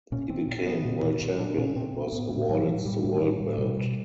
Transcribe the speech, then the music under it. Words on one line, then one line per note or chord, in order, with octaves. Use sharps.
He became World Champion and was awarded the world belt.
A#2 C#4
A#2 C4
A#2
A#2 B3
A#2
A#2
A#2
A#2 D4
A#2 C#4
A#2 C4
A#2
C4
A2 B3
A2
A2 F#3
E3
A2 F3
F#3
A2 G3
A2
A2
A2
B2 G3
B2